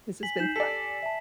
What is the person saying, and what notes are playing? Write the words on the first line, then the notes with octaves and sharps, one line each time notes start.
This has been fun.
G#5 B6 F#7
D#4 G6 C7 E7
G4 A4 D5 G#5 B6
E5 A5